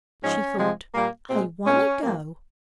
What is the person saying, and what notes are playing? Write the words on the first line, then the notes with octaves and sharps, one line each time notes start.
She thought, 'I wunna go.
G#2 F3 G#3 C#4
C3 F3 G#3
A#2 G3 A#3
A#2 G#3 C4
A#2 G#3 C#4
G2 F3 A#3